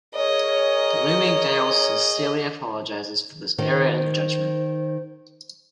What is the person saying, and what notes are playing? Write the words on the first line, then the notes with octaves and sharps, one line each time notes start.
Bloomingdale's sincerely apologizes for this error in judgment.
G#4 A#4 C#5 D#5
D#3 C5